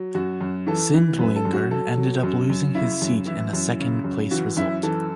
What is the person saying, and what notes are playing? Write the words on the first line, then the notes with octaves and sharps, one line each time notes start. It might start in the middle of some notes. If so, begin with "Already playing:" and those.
Sindlinger ended up losing his seat in a second-place result.
Already playing: F#3
F#2 F#4
F#2
E3 A4
E3
F#2 B4
A4
F#2
F#4
F#3 A4
F#3
F#2
F#2
C#3 E4
F#2
E3 E4
F#2
C#3
F#2
E3 F#4
F#2 E4
E3 A4